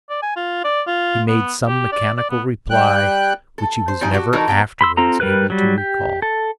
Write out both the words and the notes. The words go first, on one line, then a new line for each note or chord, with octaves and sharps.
He made some mechanical reply which he was never afterwards able to recall.
D5
G#5
F4
D5
F4
B3
G4
D5
D5
B3
G3 G5 F#6
A4
C5
F3 G3 D#4 G5 G#5
F#4 G4 A4
E3 D#4 F#4 A4 A#4
B3 G5 A#5
B5 C6 E6
C4 F4 A4 A#5
G3 A#4 B4 F#6
F#3 G3
G4
A4